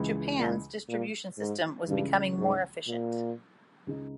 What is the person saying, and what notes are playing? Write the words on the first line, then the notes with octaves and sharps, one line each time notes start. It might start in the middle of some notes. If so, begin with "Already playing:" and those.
Japan's distribution system was becoming more efficient.
Already playing: C#2 C#3 E3 G#3
A#2
A#2
G#2
C#2 G2 C#3 E3
G#2
A#2
C#2 C#3 G#3 D#4